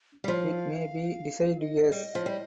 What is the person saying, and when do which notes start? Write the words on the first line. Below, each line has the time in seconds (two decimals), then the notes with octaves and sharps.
It may be deciduous.
0.24 G3
0.28 F3 F5
1.60 D#5
1.92 G3
2.15 F3
2.26 G3